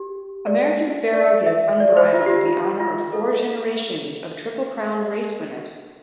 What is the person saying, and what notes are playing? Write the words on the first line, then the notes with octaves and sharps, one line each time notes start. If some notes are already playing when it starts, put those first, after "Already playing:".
American Pharoah gave Unbridled the honour of four generations of Triple Crown race winners.
Already playing: G4
D5
D5
E5
D5
C5
F4
G4
F4
F4
F4
A4